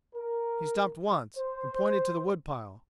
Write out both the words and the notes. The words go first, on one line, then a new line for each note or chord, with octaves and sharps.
He stopped once, and pointed to the wood pile.
A#4
C5